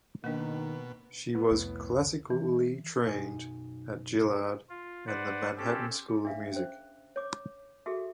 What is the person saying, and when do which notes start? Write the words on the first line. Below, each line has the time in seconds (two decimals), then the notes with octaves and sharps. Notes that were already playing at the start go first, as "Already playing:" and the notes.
She was classically trained at Juilliard and the Manhattan School of Music.
0.24 B2 D#3 A#3 D4
1.35 A2 B3
1.51 C2 F2
2.30 E3
3.04 B1 F#2 D#4 G#5
4.70 F4
5.07 B4 C5 D5 F#5
5.57 C4 C#4 G4 A4
6.08 G#4
6.25 D4 E5 F5
6.54 C#4 C5
7.16 C#5 D6
7.86 F#4 G#4 A4 E5